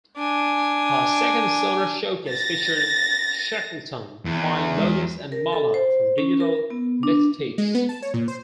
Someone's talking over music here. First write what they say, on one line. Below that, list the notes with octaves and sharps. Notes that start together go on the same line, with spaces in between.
Her second Sonar showcase featured Shackleton, Flying Lotus and Mala from Digital Mystikz.
D4 G#5
A6 A#6
E2
G#3
A#4
A4
C5
C#4
A#4
B3
D4
G#3
B3
A5
C#5
A#2
C5